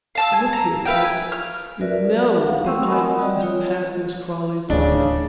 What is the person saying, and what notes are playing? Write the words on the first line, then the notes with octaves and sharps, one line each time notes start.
Look here, Pitt--you know that I was to have had Miss Crawley's money.
F5 A5 E6
G#5
A#5
E4 B4 F5 G5
G#5
F6
F#4 A#4 B4 D5 E5
F5 F#5
A3 C4 G5 C6 C#6 E6
A#4 D#5 F#5 G#5 B5 D#6
G3 C4 F#4 D5 D#5 G5
F4 C#5
D1 C#3 D4